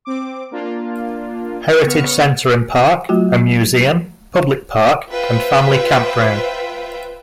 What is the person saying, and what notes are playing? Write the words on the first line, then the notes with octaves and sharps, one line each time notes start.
Heritage Centre and Park, a museum, public park, and family campground.
C4 D6
A#3 D4 F4
C#3 B3 C#6 F6
F#3 A3 F4 F#4
F4 B4 C5 E5 G5